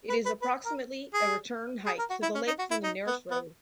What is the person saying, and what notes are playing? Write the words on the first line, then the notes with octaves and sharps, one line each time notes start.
It is approximately a return hike to the lake from the nearest road.
B4
B4
B4
A#4
G#4
G#4
A#4
F#4
E4
C#4
D#4
F#4
E4
D#4
B3
B3